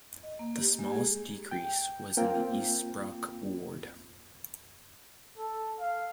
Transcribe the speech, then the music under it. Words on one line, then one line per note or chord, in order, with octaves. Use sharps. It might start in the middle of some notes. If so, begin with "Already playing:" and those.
The smallest decrease was in the Eastbrook ward.
D#5
A#3
G4
G#3
G#4
G5
A#3 C4 F4 G5
A4
F5